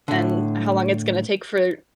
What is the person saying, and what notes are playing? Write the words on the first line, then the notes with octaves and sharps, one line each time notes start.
and how long it's gonna take for
A2 D3